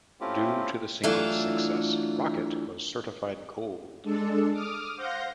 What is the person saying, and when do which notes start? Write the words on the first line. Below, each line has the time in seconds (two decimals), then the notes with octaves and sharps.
Due to the single's success, "Rocket" was certified gold.
0.21 A3 C4 C#4 E4 F4 G4
1.03 E3 F#3 A3 D4 F4
4.03 G#3 D4 A4
4.52 D6 D#6 F6
4.96 C5 F5 F#5 G6 A#6